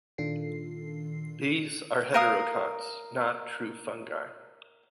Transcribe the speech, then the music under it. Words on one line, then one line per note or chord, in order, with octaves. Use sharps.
These are heterokonts, not true fungi.
A#2 D#3 D4 F4 A4 C7
A#4 F5 D#6